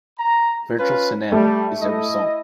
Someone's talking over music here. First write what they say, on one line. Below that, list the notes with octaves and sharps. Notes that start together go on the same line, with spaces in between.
Virtual cinema is the result.
A#5
C#4 F4 B4
G3 A3
E4 D#5